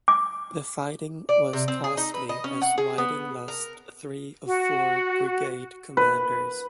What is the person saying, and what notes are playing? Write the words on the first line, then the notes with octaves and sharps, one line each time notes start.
The fighting was costly as Whiting lost three of four brigade commanders.
D6
D5
C3
C4
G#4
D#4
B4
D#5
C#4
F#5
G#4
B3
A#4
F#4
B4